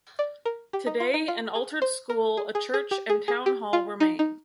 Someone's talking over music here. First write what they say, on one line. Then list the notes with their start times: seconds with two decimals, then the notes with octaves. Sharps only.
Today, an altered school, a church and town hall remain.
0.19 D5
0.46 A#4
0.73 G4
0.87 D#4
1.00 F4
1.14 D#4
1.28 F4
1.55 G#4
1.82 C5
2.10 A#4
2.37 G#4
2.55 G#4
2.74 G#4
2.91 G4
3.10 G#4
3.28 G#4
3.46 G4
3.73 F4
4.00 D#4
4.19 D#4